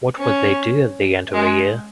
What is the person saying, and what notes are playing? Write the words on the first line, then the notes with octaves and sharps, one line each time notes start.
What would they do at the end of a year?
C#4
G#3